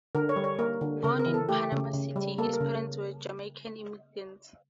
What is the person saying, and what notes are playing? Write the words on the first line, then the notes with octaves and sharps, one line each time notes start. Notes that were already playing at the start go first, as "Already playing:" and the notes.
Born in Panama City, his parents were Jamaican immigrants.
D3 A#4
C#5
G3
C#5
A#3 A#4
D3
C#3 A#4
A#4
E3
A4
A3 G4
C#3
C#3
G3
A#3 A4
A#4
C#3